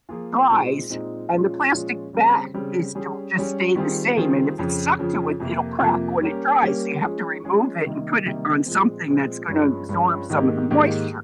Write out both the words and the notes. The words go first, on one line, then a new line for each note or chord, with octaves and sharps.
dries and the plastic bat is still just stay the same, and if it's stuck to it, it'll crack when it dries, so, you have to remove it and put it on something that's gonna absorb some of the moisture.
F3 A#3 F4 G#4
A#2 G#3 C4 D#4
A#2 G#3 C4 D#4
A#2 F3 G#3 C#4 F4
A#2 F3 G#3 C#4 F4
C#3 G3 C4
C#3 G3 C4
G3 C#4 G#4
G3 C#4 G#4
D#3 G3 C4 F4 G#4
D#3 G3 C4 F4 G#4
F2 C#3 F3
F2 C#3 F3
F2 C3 F3 A#3
F2 C3 F3 A#3
G3 A#3 C#4 G4 A#4
G3 A#3 C#4 G4 A#4
F3 G#3 C#4 G#4
F3 G#3 C#4 G#4
C3 D#3 G3 A#3 D#4
C3 D#3 G3 A#3 D#4
A#2 F3 G#3 C4
A#2 F3 G#3 C4
G2 F3 G#3 C#4
G2 F3 G#3 C#4
G#2 D#3 A#3 D#4 G4
G#2 D#3 A#3 D#4 G4